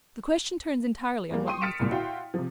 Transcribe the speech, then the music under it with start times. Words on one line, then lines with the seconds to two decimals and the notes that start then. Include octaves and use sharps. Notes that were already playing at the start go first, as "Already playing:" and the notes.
The question turns entirely on what you think of me.
1.30 E2 G3 A#3
1.47 G5 C6 C#6 D#6 D#7
1.61 F6 A6 B6 C#7 D7 E7
1.79 C2 A#2
1.91 E4 F#4 F5 G5 C6
2.34 C3 F3